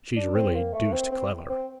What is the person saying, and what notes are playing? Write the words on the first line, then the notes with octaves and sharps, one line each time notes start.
She's really deuced clever.'
D4
C4
A#3
A3
C4
C4
C4